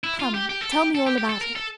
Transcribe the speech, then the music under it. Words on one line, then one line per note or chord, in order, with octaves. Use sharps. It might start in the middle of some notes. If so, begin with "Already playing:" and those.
"Come, tell me all about it."
E4
F4
G4
G4
A4
G4
A4
G4
G4
A4
A#4
A4